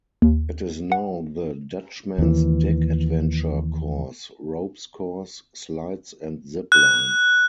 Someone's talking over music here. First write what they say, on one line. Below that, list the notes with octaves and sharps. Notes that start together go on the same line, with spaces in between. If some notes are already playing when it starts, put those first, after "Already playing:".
It is now the "Dutchman's Deck Adventure Course" ropes course, slides and zip line.
D#2
F#5
D#2 E3
F#6